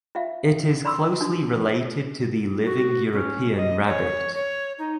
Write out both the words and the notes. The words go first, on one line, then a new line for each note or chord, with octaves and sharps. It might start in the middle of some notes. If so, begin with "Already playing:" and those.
It is closely related to the living European rabbit.
F4 E5 F5
D5 B5 C6 D6 E6
D4 D#4 F#4 D#6
F#4
C#4
D#5
C#5
C#5
D#4